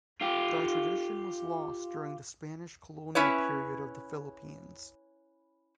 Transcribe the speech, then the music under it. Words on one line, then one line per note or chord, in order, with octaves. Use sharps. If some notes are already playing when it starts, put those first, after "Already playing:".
The tradition was lost during the Spanish colonial period of the Philippines.
F4 G4
C#4 E4 B4 C#5